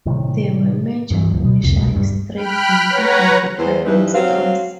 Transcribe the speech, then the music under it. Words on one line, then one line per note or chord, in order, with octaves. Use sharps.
There were major commercial streets including department stores.
A2 C3 D#3 G3
G2 E3
D1
B2
C2 F2
F1 B2 G#3
D1 G2 G3
G5 B5 F6 F#6
B4 C#5 F#5 A#5
E2 C5
G2 E3 D#4 B4
F#3 C4 F5